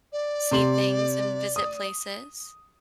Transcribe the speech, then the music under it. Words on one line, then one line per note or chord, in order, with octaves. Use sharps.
see things and visit places.
D5
C3 C6 F#7
D#6